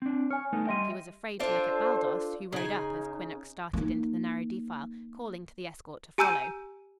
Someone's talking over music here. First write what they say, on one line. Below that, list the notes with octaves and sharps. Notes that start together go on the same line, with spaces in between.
She was afraid to look at Baldos, who rode up as Quinnox started into the narrow defile, calling to the escort to follow.
C4 D4
C#5 G#5 F6
A3 B3 D#4
G3 D#5 E5 G5 C6 D#7
D4 F4 A4 C5
C#3 D#4 G#5
A#3 D#4
G4 G#5 A#5 E6 G6 D#7